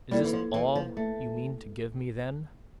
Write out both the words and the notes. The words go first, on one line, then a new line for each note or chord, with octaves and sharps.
'Is this all you mean to give me, then?'
G3 A#3 E4 A4
E3
F3
E3
F3
A3